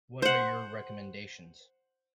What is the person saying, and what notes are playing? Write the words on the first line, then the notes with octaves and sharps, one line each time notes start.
What are your recommendations?
C5 F#5